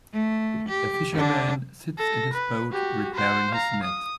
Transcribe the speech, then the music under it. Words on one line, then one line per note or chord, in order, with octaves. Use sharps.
A fisherman sits in his boat repairing his net.
A3
G4
D3 D4
A4 A#6
B4
F#4 G4
C5 F#5
F5 A#5
D#6